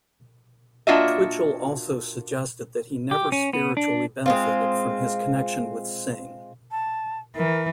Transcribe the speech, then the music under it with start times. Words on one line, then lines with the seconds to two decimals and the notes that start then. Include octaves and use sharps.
Twitchell also suggested that he never spiritually benefited from his connection with Singh.
0.87 A#3 D4 F4 F#4 D#5 E5
3.11 G4
3.32 C#4
3.53 B3
3.77 D4
4.26 G#3 C4 F4
6.71 A5
7.36 E3 A#4